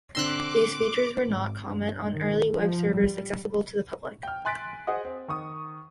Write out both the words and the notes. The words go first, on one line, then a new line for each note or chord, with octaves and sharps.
These features were not common on early web servers accessible to the public.
D3 C4 C6 D6 E6 F#6 A#6
G#1
G2
D#3
F3
G3
G5 F6
G#5 C6 F#6 A6 B6 D7
G#4 C5 D#5 F#5 D#6
C4
D#3 C#6 D#6